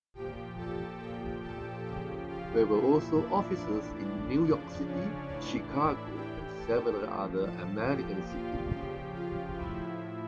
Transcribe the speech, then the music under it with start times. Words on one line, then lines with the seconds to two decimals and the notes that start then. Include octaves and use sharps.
There were also offices in New York City, Chicago, and several other American cities.
0.14 A#2 F3 G4 G5
0.57 A4 A5
1.00 A#2 F3 G4 G5
1.42 A4 A5
1.85 C#3 F3 G4 G5
2.28 F4 F5
2.71 A#2 F3 E4 E5
3.13 D4 D5
3.56 A2 E3
3.99 D4 D5
4.42 C#3 F3 D4 D5
4.85 C#4 C#5
5.28 A2 E3 D4 D5
5.70 E4 E5
6.13 A2 E3 G4 G5
6.56 A4 A5
6.99 A2 F3
7.42 A4 A5
7.85 A#2 F3 G4 G5
8.27 F4 F5
8.70 C#3 F3 G4 G5
9.13 F4 F5
9.56 A2 F3 E4 E5